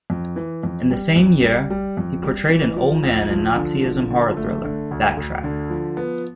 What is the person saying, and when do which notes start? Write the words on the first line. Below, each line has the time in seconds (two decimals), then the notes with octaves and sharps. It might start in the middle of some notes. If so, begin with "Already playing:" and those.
In the same year, he portrayed an old man in Nazism horror thriller "Backtrack".
0.10 F2
0.36 E3
0.63 F2
0.90 G3
1.16 F2
1.44 G3
1.70 G3
1.97 F2
2.24 G3
2.50 E3
2.76 F3
3.03 D2
3.31 F3
3.56 D3
3.84 F3
4.10 D3
4.37 A3
4.64 D3
4.91 D2
5.17 D2
5.44 D3
5.70 F3
5.97 B3